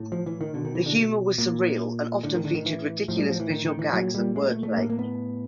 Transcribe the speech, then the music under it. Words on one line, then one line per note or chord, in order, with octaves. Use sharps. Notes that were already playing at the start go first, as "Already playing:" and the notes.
The humour was surreal and often featured ridiculous visual gags and wordplay.
Already playing: A2
F3
E3
D#3
B2 D3
D#3
E3
D3
A#2
A2 D3
D#3
D3
D#3
E3
A2 F3
G3
F3
E3
D#3
D#3
E3
A#2 F#3
G3
G#3
A3
A3
A2 A#3
A#3
B3